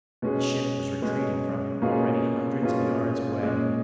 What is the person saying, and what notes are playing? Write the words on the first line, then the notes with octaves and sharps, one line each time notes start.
The ship was retreating from him already hundreds of yards away.
B2 G#3 C#4 G#4
B2 G#3 C#4 G#4
B2 A#3 C#4 F4 G#4
B2 A#3 C#4 F4 G#4
A#2 G#3 C#4 G#4